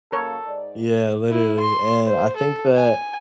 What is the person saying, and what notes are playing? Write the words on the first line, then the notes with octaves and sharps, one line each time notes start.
Yeah, literally, and I think that,
F#2 C#3 A#3 A4 A#4 C#5
G#2 D#4 D5
E4
C6
C5
A4
G#5